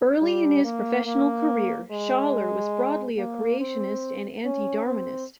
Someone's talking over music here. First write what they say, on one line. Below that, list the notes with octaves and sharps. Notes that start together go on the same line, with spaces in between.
Early in his professional career Shaler was broadly a creationist and anti-Darwinist.
G3
A#3
A#3
G#3
A#3
C4
C#4
C4